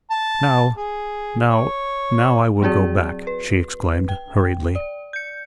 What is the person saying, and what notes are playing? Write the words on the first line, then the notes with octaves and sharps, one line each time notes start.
"Now--now--now I will go back," she exclaimed, hurriedly.
A5
G#4
C#5
F#3 C4 F#4 G#4 D5
B4
G5
D5
G6 C#7